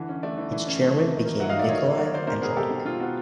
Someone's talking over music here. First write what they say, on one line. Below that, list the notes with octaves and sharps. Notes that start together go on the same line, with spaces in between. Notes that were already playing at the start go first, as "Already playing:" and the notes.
Its chairman became Nicolae Andronic.
Already playing: D3 E3
C#4
A3 D5 E5
E3
E3
C#4
A3
E3
D#3
A#3
F#3 E5 F#5
D#5 F5
D#3
D5 E5
D#3 C#5 D#5
A#3
F#3 D5
C#5
D#3 C5 D5
B2 A#4 C5
B3 G#4 A#4
G#3 G4 A4
B2
B2 F4
B3 F#4